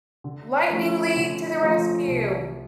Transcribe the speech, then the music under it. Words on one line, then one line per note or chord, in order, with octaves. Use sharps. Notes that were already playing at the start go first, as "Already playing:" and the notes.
Lightning League to the rescue!
D3
F3 A3 C#4 F4
D3
F3 A3 C#4 F4
C2